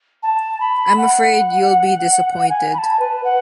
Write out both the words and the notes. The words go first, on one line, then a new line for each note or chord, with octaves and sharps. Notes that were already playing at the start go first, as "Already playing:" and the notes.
I'm afraid you'll be disappointed.
A5
B5
F#5
G#5
B5
A5
B4
F#5